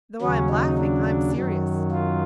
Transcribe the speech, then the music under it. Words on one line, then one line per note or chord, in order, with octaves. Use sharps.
Though I am laughing, I am serious.
D#2 C#3 F#3 C#4
D#4
D4
D4
F#2 D#3 F#3
F4